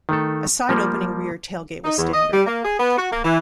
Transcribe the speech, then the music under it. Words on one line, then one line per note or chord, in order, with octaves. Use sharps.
A side-opening rear tailgate was standard.
D#3 A3 A4
F3 G3 A#3
D#4
E2
D#5
G3
A#3
G#4
B3
F#4
A#3
E3